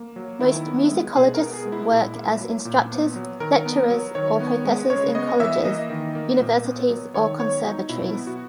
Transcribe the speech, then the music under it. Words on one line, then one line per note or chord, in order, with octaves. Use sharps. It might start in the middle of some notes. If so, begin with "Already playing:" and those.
Most musicologists work as instructors, lecturers or professors in colleges, universities or conservatories.
Already playing: A#3
F#3
D#3 E4
B3
G#3
B2 G#4
A#4
B3
G#4
G#3
E4
A#2
A#3
F#3
A#2
B3
F#3
D#3 A#4
B3
F#3
D#3 C#5
B3
G#3
C#3 C#5
B3 D#5
E3 E5
A#3 D#5
D#3
A#3
A#2
B3
F#3
D#3 C#5
B3 C#5
F#3 D#4
B2 E4
B3
F#4